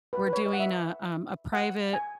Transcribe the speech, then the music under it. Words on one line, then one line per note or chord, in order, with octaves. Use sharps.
we're doing a um, a private
B4
B4
C#5
D#5
F#5
E5
F#5
G#5